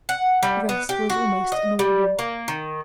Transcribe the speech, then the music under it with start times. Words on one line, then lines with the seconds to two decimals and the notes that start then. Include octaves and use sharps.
The rest was almost inaudible.
0.09 F#5
0.43 G3
0.69 B3
0.89 G4
1.10 F#4
1.52 D#5
1.79 G3
2.19 A#3
2.48 D#3